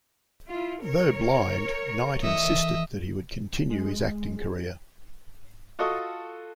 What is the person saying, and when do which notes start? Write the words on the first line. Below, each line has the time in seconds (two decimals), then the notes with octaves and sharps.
Though blind, Knight insisted that he would continue his acting career.
0.48 E4 F4
0.83 A#4 C#5
2.23 E3 A3 D#5 E5
3.70 G#3
5.79 F4 F#4 A4 D#5 C#6 D#6